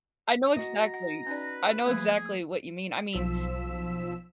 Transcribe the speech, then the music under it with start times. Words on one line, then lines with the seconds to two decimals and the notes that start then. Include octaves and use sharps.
I know exactly I know exactly what you mean I mean,
0.56 F#4 D#5 A#5
0.94 F#5
1.27 C#4 D#4 B4 D5
1.86 F3 A3 A#3 G#4
3.13 B1 F3 E6 B6